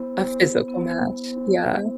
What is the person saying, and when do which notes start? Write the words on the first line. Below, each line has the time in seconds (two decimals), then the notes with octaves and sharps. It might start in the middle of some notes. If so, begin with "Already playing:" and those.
a physical match, yeah.
Already playing: B3 E4 C5
0.68 B3 E4